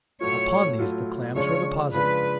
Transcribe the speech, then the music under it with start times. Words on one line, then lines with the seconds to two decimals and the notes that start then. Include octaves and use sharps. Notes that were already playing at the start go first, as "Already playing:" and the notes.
Upon these the clams were deposited.
0.21 A2 F#3 A3 F4 C#5
0.78 A2 F#3 A3 F4
1.36 C#3 F3 G#3 D4 F4 C#5
1.93 C#3 F3 G#3 D4 F4 B4